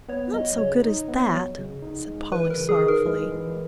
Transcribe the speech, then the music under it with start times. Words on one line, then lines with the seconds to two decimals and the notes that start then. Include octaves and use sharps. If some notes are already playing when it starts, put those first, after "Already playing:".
"Not so good as that," said Polly, sorrowfully.
0.09 B3 C#5
0.33 F#3 D#5
0.58 C#3 C#5
0.83 D#4
1.08 B3
1.33 F#3
1.58 C#3
1.82 D#4
2.07 G#3
2.32 E3 B4
2.50 A#4
2.57 C#3
2.69 G#4
2.81 D#4
2.88 A#4
3.06 G#3
3.31 E3